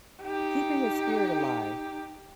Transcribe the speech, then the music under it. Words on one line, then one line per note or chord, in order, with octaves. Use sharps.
Keeping his spirit alive.
D#4 G4